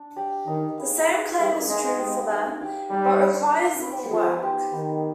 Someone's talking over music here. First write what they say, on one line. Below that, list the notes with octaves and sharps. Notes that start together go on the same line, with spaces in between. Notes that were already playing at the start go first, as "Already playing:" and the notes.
The same claim is true for them, but requires more work.
Already playing: D4
G4 D5
D#3 D#4
G#4 B4 F5
D#4
G3 G#4 B4 F5
G#3 D#4
G4 D5 F5
D#4
G4 D5 F5
G3 D#4
B4 D5
D#4
B4 D5
F3 B3
D#4 G4 C5
D#3 B3